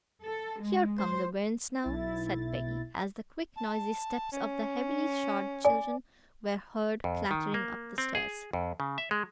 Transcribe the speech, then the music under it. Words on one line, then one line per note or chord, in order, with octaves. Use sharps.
"Here come the bairns now," said Peggy, as the quick, noisy steps of the heavily-shod children were heard clattering up the stairs.
A4
G#3
C5
B1 E4 A6
A5
C#4
D5 G#5
F2
D#3
A#3
C4
G#4
F2
C#3
E5
G#3